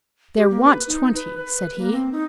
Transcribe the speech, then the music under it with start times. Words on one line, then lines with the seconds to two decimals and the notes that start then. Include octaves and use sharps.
"There want twenty," said he.
0.36 G4
0.50 A#3
0.64 B4
0.87 D#4
1.15 B4
1.38 B4
1.78 A#3
1.92 C4
2.13 D#4